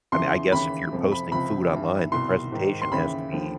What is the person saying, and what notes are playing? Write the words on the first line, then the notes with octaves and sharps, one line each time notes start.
I mean, I guess if you're posting food online, the presentation has to be,
E2 C#3 E3 C6
D#2 C#3 E3 B5
F2 C3 F3
B5
C#2 C3 F3 B5
G2 E3
C2 B2 C6
G#2 D#3
C6
D#2 C#3 E3 B5
D#2 D3 F3